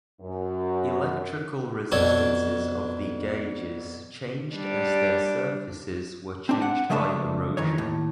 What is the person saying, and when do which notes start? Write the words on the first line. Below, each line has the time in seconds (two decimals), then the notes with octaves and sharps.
Electrical resistances of the gauges changed as their surfaces were changed by erosion.
0.21 F#2
1.92 F2 B2 D4 A4 C#5
4.55 G3 D4
6.49 C4 D4
6.62 F#5
6.90 C#3 F3 G#3 A3 D4 E5
7.57 D#3 E3 C#5
7.78 D#2 A2